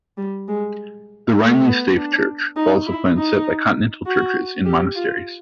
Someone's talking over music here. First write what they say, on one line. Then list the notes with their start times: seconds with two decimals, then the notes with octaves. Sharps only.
The Reinli stave church follows a plan set by continental churches in monasteries.
0.18 G3
0.48 G#3
1.37 A3
1.68 B3
1.97 D4
2.56 D#4
2.86 E4
3.17 D#4
4.06 F#4
4.65 G4
4.95 F4